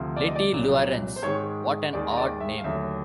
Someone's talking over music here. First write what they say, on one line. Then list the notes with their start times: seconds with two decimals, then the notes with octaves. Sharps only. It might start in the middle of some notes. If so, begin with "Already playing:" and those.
Lettie Laurence, — what an odd name!
Already playing: D2 C3 F3
0.16 D5
0.26 D#5
0.36 D5
0.52 C2 A#2 F#3
1.16 C5
1.22 G#2 D#3 G#3 C#5
1.93 D#2 D#3 G#3 D5
2.10 D#5
2.17 D5
2.40 E5
2.58 F5
2.64 D#2 D3 F#3 A3 E5